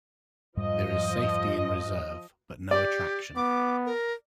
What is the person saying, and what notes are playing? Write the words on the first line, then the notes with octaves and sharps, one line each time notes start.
There is safety in reserve, but no attraction.
F2 G#2 F3 G3 D#5
G4 D5
B3 D6
A#4